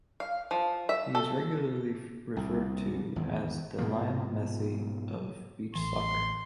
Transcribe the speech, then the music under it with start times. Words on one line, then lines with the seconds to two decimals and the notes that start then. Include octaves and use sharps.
He is regularly referred to as the "Lionel Messi of beach soccer".
0.20 F5
0.51 F3
0.89 E5
1.15 A4
2.36 C2
3.16 G#1 E2
3.78 G#2 B2 F3 A#3
5.75 A1 E3 C6